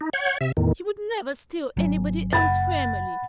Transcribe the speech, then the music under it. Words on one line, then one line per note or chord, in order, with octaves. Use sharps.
He would never steal anybody else's family!
D#4
C#5 F#5 G6 G#6
C3 E5
E2 A2 D#3
G#1 F#3 C#4
F#1 F#5 B5 A6